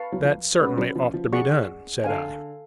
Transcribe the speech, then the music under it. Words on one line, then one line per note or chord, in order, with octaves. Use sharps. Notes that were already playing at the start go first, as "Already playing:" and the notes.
"That certainly ought to be done," said I.
Already playing: B4 F5 A5 C#6
F#3
F3
G#3 C#4 F#4 B4 D5
F#3
F3
F3
G#4 D5 F#5 C#6
D3 A4 F5 G#5